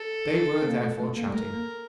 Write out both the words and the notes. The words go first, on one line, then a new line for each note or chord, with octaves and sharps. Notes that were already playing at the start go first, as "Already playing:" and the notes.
They were therefore chatting.
Already playing: A4
C4
A#3
A3
A3
A#3
G3
A3 A#4
A#3